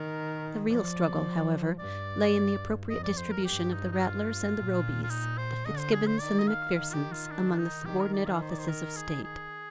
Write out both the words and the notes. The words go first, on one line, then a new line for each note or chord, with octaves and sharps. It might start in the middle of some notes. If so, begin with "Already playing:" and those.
The real struggle, however, lay in the appropriate distribution of the Rattlers and the Robys, the Fitzgibbons and the Macphersons among the subordinate offices of State.
Already playing: D#3 A#4
F3 D5
G2 D5
F2 D#5
D5
C5
A#4
G2 G4
D#4
D#4
F4
A#2
F4
D#4
C5
D3 D#5
C5
G#4
C5
D#3 D5
D#5
F5
D#3 F5
F4
G4
F4
D4
D4
D#4
D#3 G4
A#4
D5
F5
C5
D5
C5
A#4
G#4
G#4